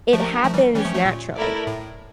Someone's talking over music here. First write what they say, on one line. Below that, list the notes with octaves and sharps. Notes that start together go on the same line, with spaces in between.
It happens naturally.
F3 A3 D4 G4 A#4
F3 A3
E3 G3
E3 G3 C#4 G4 C#5
F3 A3
F3 A3
A#2
A3 E4 A#4 D5
A2